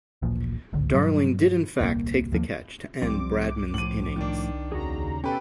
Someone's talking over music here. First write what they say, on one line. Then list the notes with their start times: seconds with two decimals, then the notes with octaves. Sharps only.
Darling did in fact take the catch to end Bradman's innings.
0.22 D1 A1 A#2 F3
0.73 D1 G#1 C#2 D3
0.94 G2 B2 F#3 G3
1.81 D#1 C2 A2 A#3
2.32 D#2 F3 A#3
3.02 C2 F3 G3 C4 D6
3.74 A2 F3 D#7 F#7
4.16 D#3 D4
4.72 D#2 C#3 F#4 G#4 A#5
5.24 B2 C#4 G4 A4 B4 G5